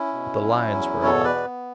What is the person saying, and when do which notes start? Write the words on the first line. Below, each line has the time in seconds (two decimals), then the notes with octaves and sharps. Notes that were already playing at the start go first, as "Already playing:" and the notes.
But the lines were enough.
Already playing: C#4 E4
0.13 B2
0.43 F#3
0.73 E2
1.03 B2 A4 C#5
1.24 B4 D5
1.34 B3